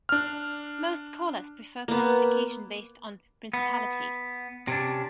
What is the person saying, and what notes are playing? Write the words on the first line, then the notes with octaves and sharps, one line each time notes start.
Most scholars prefer classification based on principalities.
D4 F6
A#3 B3
B3
C3 C#4 D4